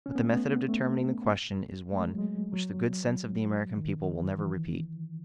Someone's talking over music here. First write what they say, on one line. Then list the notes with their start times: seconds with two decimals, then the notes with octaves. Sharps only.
But the method of determining the question is one which the good sense of the American people will never repeat.
0.06 C#4
0.15 B3
0.24 A3
0.34 B3
0.68 A3
1.92 A3
2.01 G#3
2.09 F#3
2.18 G#3
2.52 F#3
3.77 D#3
4.38 E3